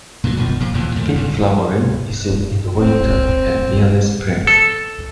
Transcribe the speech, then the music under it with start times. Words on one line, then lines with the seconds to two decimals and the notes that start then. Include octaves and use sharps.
Peak flowering is in the winter and early spring.
0.24 A#2 D3 D#3 F#3
0.37 F#2 B2 D#3 F3
0.60 F2 A#2 C#3
0.74 D#2 A#2 E3 F3
0.96 F2 D#3 A3
1.15 F#1 C2 G2
2.78 C4
4.47 A4